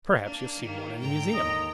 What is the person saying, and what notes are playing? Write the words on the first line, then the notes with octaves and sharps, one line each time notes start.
Perhaps you have seen one in a museum.
A#3 D4
D#3
G#2 D3 G5 A#5
D#2 D#5